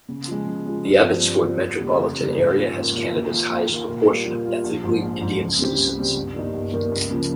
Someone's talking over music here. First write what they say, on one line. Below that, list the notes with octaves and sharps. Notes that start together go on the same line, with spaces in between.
The Abbotsford metropolitan area has Canada's highest proportion of ethnically Indian citizens.
C#3
F3 G#3
C#3
F3 G#3
G2
F3 C4 F4 C5
G2
F3 C4 F4 C5
F1
D#2 C#3 G3
F1
D#2 C#3 G3
G#2
D#3 A#3 C#4 F4
G#2
D#3 A#3 C#4 F4
D#2
D#3 A#3 F4
D#2
D#3 A#3 F4
A#2
G3 A#3 F4
A#2
G3 A#3 F4
A#1
G#2 F3
A#1
G#2 F3
C#2
C#3 G3 C4 G4
C#2
C#3 G3 C4 G4
G1
G2 D#3 A#3 D#4
G1
G2 D#3 A#3 D#4
C#2
C#3 F3 A#3